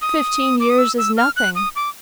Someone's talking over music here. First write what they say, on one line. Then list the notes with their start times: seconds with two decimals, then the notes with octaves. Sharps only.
Fifteen years is nothing.
0.02 D#6
0.60 D6
0.70 D#6
0.78 E6
0.98 E6
1.17 F6
1.36 F#6
1.55 D#6
1.76 D6